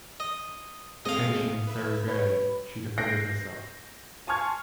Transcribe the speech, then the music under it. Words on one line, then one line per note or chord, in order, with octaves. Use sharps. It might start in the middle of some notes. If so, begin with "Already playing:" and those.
Occasionally, very rarely, she defended herself.
D#5
G#3 A3 C4 D#5 F5
B4 E5
B4 C#5
F#6 G6 A#6 C7 D7
G#5 A5 C6 C#6 F6 G#6